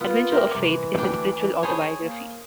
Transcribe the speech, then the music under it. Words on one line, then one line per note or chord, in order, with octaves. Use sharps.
"Adventure of Faith" is his spiritual autobiography.
B3 F4
A#4 C5 E5 G5
C2 E3 D6
D2 D4 G5
G#4 C5 C#5 G#5 A5 B5
A#3